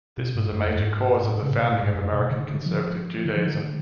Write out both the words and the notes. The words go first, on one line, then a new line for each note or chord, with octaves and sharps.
This was a major cause of the founding of American Conservative Judaism.
B2
G#2
F#2
F2
G#2
A2
C#3
A2
B2
A2
G#2
F#2
B2
D3
D3
F3
D3
F3
D3